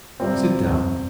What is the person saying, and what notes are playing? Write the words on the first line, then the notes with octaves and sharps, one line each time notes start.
Sit down.
C3 G3 C4 F4